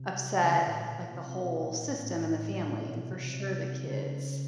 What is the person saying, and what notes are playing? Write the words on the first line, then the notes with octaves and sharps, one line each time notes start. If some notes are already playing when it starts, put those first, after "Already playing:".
upset, like, the whole system and the family, and for sure the kids.
Already playing: C3
C#3
D3
A2
A#2
B2
A#2
C3
C3
B2
A#2
A2
A#2
B2
C3
C3
C#3